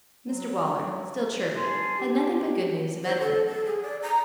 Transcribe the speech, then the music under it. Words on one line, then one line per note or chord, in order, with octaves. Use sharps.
Mr Waller, still chirpy, had nothing but good news of Edward.
F#3
G2 G3 G#5 A5 C6
G4
C5
A4
A4
G#4
D5
A#5